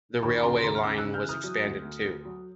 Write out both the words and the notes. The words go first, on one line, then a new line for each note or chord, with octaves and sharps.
The railway line was expanded, too.
D#2 B5 C#6
C#3 A#5 C6
D#2 A#5 C6
F6
C#3 D6 E6
E6 F#6
C#3
F6 G6
E3
D#6 F6
F#3
D2
D2
D2
F#3